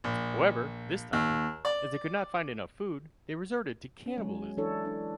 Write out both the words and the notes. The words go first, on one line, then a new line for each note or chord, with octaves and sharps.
However, this time, as they could not find enough food, they resorted to cannibalism.
A#1
D#2
D5
C#4
F#3 G#3
E3 D4 E4 A4 C#5
D4